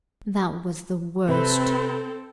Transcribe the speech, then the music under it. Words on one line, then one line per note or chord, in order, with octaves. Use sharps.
That was the worst!
C3 C4 A4 B4